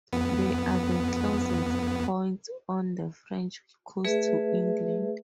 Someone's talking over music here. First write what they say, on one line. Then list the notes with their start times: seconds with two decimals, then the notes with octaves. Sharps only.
They are the closest points on the French coast to England.
0.13 F2 B3
4.04 A3 G#4 B4 E5